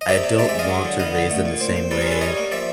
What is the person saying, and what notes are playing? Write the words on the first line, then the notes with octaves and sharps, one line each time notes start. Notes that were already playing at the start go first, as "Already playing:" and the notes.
I don't want to raise them the same way
D#5
C3 D5 E5
C3
G#3 D5 E5
D5 E5
G#3 D#5 F5
F#3
D3
B3 D#5 F5
D3
A3
A#2
C4
C4
G3 A4 B4
G#4 A#4
C#4 A4 B4
G3 C#5 D#5
A#3
F3 D5 E5